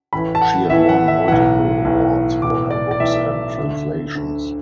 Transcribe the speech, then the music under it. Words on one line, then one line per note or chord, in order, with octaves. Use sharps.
She has won multiple awards for her books and translations.
A1 A2 E3 B5
A5
F#5
A1 A2 E3 E5
F#5
E5
B1 A2 E3 F#5
B1 A2 E3
B1 A2 E3 D6
D5
D5
B1 A2 E3 E5
D2 D3
D2 D3